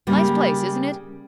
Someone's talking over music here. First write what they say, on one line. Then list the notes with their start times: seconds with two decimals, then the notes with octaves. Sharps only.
Nice place, isn't it?
0.07 C#3 G3 A#3